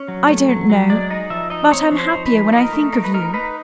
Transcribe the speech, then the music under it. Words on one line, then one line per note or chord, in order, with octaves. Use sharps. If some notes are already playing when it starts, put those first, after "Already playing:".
"I don't know--but I'm happier when I think of you."
Already playing: C#4
F#3
A3
F#3
F#3
G#3 D5
D#4 D#5
F3 E5
D#4 D#5
C4 C#5
F3
C5
D#4
B4
F3
D#4 A#4
A3
D#4 A#4
B4
D#4 A#4
D#4 B4